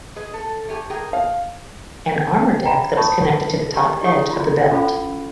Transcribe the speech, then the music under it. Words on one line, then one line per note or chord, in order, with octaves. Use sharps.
An armor deck that was connected to the top edge of the belt.
G#4 B4 D#5
A4
A3 G4 G#5
G#4 A#4 G5
F5
G5 A#5 B5
C#5 A5 B5 C#6 D#6
G4 A#4
E4 G4 G#4 A#4 C#5 D#6
E4 F4
C#4 F4 A4 C5 F5 B5